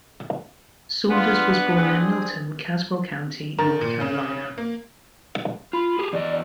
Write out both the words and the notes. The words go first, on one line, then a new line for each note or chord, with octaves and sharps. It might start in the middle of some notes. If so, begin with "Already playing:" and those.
Saunders was born near Milton, Caswell County, North Carolina.
B3 D4 F4
C4 G#4
D#3 A#4 A#5 A6
A#2
C#3 C#4
A#3
F4 B5
G4 G#4
E2 D5 D#5